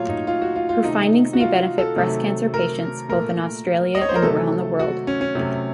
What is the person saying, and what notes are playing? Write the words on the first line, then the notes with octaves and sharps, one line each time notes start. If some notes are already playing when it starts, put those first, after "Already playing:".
Her findings may benefit breast cancer patients both in Australia and around the world.
Already playing: A#2 F#3 A3 F4 C#5
D#4
F4
F#4
F4
F4
C3 D#3 A3 D#4
F#4
F4
A4
C3 D#3 F#3 A3
A#4
A#2 A3 A#4
D#5
C#5
C5
A#4
C3 D#3 F#3 A3 A4
F#4
C#4
C#4
C3 F#3 A3